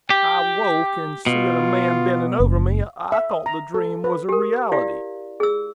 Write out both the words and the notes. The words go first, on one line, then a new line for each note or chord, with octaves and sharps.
"I woke, and seeing a man bending over me, I thought the dream was a reality."
G4 G5
B2 F4
F#1
E5
D#6
A#5
A4
B4
G4 A#4
E4 G4 D5 F5
G#4 E6